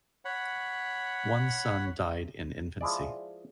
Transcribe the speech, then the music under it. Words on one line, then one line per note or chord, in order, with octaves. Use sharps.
One son died in infancy.
C#5 F#5 B5
F3 G#3 E4 G#4 D5